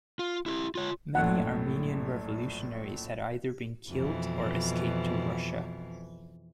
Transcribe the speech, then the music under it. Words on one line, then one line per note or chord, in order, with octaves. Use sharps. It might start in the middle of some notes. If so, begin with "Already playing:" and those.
Many Armenian revolutionaries had either been killed or escaped to Russia.
F4
E4 F#4 G4
F4 C#5
A#1 F#2 A2 F#5
F2 B2 E3